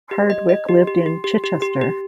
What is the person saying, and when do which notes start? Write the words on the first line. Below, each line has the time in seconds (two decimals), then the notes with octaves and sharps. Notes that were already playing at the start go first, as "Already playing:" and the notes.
Hardwicke lived in Chichester.
0.11 G4
0.30 D#5
0.49 D#5
0.68 G4
0.87 G4
1.06 G4
1.24 G4
1.44 G4
1.62 G4
1.81 G4